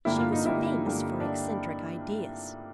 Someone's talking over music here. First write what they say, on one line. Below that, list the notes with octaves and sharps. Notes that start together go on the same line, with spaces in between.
She was famous for eccentric ideas.
G2 D3 G3 A#3 E4
F4
D#4
G2 D3 G3 A#3 E4
G2 D3 G3 A#3
D4